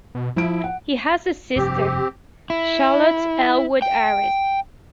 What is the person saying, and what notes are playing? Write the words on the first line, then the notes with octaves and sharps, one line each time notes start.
He has a sister, Charlotte Ellwood-Aris.
B2
F3 E4 D7
F#5
F1 G2 C4 G4
E4
G5